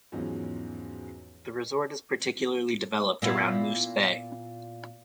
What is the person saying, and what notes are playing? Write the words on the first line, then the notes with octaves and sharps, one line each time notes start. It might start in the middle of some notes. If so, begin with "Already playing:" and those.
The resort is particularly developed around Moose Bay.
E2 G#2 F3 F#3 C#4
A#2 B3 E4